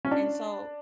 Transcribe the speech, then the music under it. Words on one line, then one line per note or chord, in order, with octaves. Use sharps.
And, so,
C#4
D4